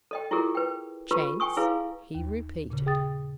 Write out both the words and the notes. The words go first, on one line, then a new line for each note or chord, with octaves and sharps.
"Chance?" he repeated.
A4 D#5 G5
E4 F4 G4 G#4 A#4
B4 G5
F4 G4 A4 B4 B5
G5 G#5 C#6 D#6
E4 G#4 B4 F5
D#2
A#2 C#3
G#4 G5 D#6 A6